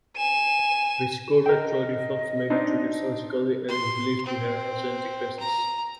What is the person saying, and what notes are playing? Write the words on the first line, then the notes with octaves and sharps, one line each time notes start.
Vesicoureteral reflux may be treated surgically, and is believed to have a genetic basis.
G#5 E7
A#4 D#5 G5
C4 D4 D#4
C6
C4
A#5